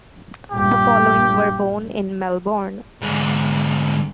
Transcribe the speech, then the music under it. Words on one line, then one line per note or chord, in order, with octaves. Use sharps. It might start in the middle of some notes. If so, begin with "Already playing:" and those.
The following were born in Melbourne.
A#1 G2 G4
G#2 D3